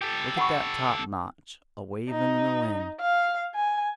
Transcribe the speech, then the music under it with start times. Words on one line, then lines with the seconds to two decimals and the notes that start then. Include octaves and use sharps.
Look at that topknot a wavin' in the wind!
0.02 G4 A4
0.37 F#5 B5 C#6
2.10 D#4
3.01 F5
3.55 G#5